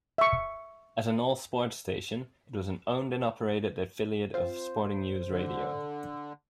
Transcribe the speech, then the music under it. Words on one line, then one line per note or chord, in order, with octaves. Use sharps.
As an all-sports station, it was an owned-and-operated affiliate of Sporting News Radio.
E5 C#6
C4 F4 C5
D3